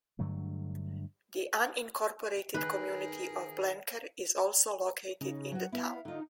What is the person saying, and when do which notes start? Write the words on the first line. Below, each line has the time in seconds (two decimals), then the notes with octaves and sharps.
The unincorporated community of Blenker is also located in the town.
0.19 G2 D3 F#3 A3
2.54 D#3 G#4 A#4 B4
5.21 C#3 D#4
5.51 F#3 F#4
5.72 B3 E4 E5 F5
6.05 D3 D#4 F4